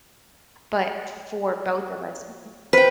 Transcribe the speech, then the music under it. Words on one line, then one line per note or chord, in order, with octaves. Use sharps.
but for both of us, m
B4 C5 G5